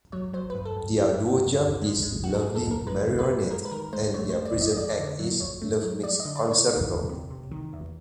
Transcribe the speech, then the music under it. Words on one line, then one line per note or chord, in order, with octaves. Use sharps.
Their duo jump is "Lovely Marionette" and their Prism act is "Love Mix Concerto".
F#3 C#5
F#3 C5
G2 B4
A4
G2
G2 G4
G2
G2
D#3
G#3
G#3
F#2 F#4
A4
G#4
F#2
A4
F#2 A#4
G#3 B4
F#2
B4
F#2
G#3 A#4
B4
D#3 A#4
G#3 C5
A3 C#5
F2 C5
D5
F2 D#5
D#5
F2 D5
D3
F#3
F2 C#5
A3
F#3
F2 D5
D#5
D3
D5
D3
C#5
D#3
E2
C3
C3
D#3
E2